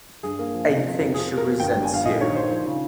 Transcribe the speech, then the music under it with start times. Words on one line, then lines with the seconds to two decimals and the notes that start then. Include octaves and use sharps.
I think she resents you.
0.23 G2 G#4
0.39 A#3
0.54 F3
0.69 C3
0.84 F3
0.99 F2
1.14 F3 G#4
1.29 F3
1.37 A#4
1.45 A#3
1.60 G1 G5
1.71 G5
1.75 G3
1.83 G#5
1.90 G1 F5
2.05 A#1 D#5
2.21 D#3 C#5
2.35 D#3 C5
2.51 F3
2.66 C#3